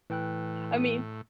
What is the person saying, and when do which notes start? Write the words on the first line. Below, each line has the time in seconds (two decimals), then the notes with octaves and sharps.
I mean
0.10 A2 E3 G5 F#6